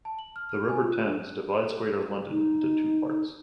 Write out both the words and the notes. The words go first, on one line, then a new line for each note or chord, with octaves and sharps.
The River Thames divides Greater London into two parts.
A5
F#7
F6
F6
G#5
F4
F#6
D4
D#4